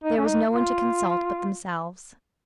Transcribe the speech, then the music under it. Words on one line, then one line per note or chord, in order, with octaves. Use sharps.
There was no one to consult but themselves.
D#4
C#4
D#4
F4